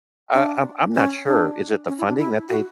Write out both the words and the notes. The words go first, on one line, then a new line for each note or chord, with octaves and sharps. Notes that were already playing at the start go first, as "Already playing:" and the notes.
Uh, I'm I'm not sure. Is it the funding that they
D4
C#4
D4
C#4
E4
D4
E4
F#4